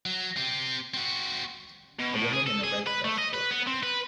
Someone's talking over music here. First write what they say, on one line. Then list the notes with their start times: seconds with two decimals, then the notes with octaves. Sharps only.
A woman in a red dress walking.
0.06 F#3
0.37 C4 G4
0.94 C4 F#4
1.99 B2
2.14 A2
2.33 G#4
2.46 A4
2.64 G#4
2.87 B4
3.05 A3
3.18 D#5
3.34 B4
3.51 B3
3.67 C4
3.83 B4